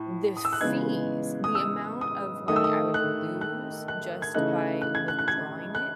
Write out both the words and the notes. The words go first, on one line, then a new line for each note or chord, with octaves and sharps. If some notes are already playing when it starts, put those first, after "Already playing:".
the f fees, the amount of money I would lose just by withdrawing it,
Already playing: A2
D#6
E6
F#6
C#3 E3 G#3 B3 D#4 G#6
D#6
E6
D#6
D#3 A3 D#4 D#6
E6
D#6
F#6
F#6
F#6
G#6
C#3 E3 A3 D#4 F#6
F#6
G#6
F#6
F#6
G#6
F#6